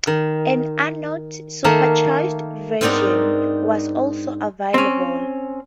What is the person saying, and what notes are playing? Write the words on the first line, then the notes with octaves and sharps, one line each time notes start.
An Arnott supercharged version was also available.
D#3
D#3 A3 A#3
G#2 B3 C4 D4 D#4 A#4
C4 C#4